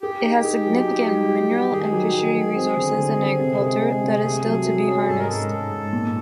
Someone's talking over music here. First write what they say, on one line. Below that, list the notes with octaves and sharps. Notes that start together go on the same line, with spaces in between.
It has significant mineral and fishery resources and agriculture that is still to be harnessed.
G4 G#4
D#4
G#4
F#3
D#4
G3
G3
G3
D#3 G#4
F#3
D#3
F#3
C4
D3
D3
C4
C3
G#3
G#3
C3
A3
F#3
F#3
C#4
G#2 A4
A#4
G#2 A4
G#2
G#2
A#2